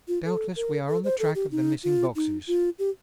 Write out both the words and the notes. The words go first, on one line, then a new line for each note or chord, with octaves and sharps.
Doubtless we are on the track of the missing boxes.
F4
A4
A#4
A4
C5
A4
G4
D#4
F4
D#4
F4
G4